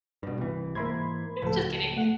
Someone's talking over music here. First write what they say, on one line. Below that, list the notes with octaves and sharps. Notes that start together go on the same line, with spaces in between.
Just kidding.
G2 B2
C2 E3
G#2 E3 A#3 B5 C6 G#6
C#2 A2 F3 A4
A3 F#5